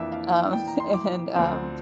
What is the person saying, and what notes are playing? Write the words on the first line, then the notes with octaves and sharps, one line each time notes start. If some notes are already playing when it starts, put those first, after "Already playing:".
um, and, um,
Already playing: F2 E3 A#3 D4 D5 E5
F5
G5
A#5
C6
D6
D2 D3 F3 C4